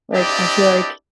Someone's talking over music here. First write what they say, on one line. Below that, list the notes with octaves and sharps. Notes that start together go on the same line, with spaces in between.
Like, I feel like
C4 D4 E4 G4 D5 D#5